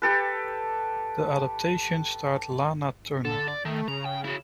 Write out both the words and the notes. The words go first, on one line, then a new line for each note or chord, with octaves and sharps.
The adaptation starred Lana Turner.
G4 A4 B4
D3 A4
D5
D#3 A3
C#3 A#5
G5
E4 F#4